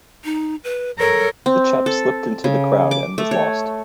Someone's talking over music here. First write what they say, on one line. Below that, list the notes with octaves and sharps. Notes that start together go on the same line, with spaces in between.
The chap slipped into the crowd and was lost.
D#4
B4
A4 A#4 C#5
C4
A4
C#3
D6
A3
C#5